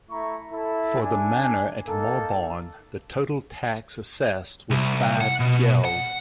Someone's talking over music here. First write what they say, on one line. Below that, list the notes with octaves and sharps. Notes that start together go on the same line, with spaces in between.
For the manor at Morborne the total tax assessed was five geld.
A3 E4 A#5 C#6
E4 A4
D4 G#5
A#3 D#4 A4
C2
F#5
B2
F#5